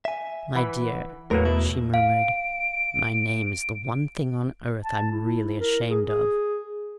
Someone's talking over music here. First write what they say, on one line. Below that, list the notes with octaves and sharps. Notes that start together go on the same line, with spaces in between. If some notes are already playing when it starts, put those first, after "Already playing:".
'My dear,' she murmured, 'my name is the one thing on earth I'm really ashamed of.
E5 G#5
E3 F#5 B5
E2 A2 F#3 A3 A#3 A#4 B4
B2 E4
F5 D7
A5
E4
A#4
G#4
G#4